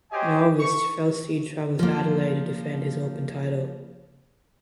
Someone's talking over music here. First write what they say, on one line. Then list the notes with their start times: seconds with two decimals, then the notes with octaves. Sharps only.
In August Felstead travelled to Adelaide to defend his open title.
0.12 F#4 G4 C5 C#5 D#5 G#5
0.60 C#6
1.79 F3 A#3